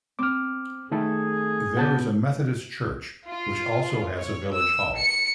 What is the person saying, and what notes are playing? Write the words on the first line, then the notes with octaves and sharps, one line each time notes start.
There is a Methodist Church, which also has a village hall.
C4 D6 F6
D#3 A3 G#4 A4
B2 F#5 A5 G6
F4
C#5
E6
C#7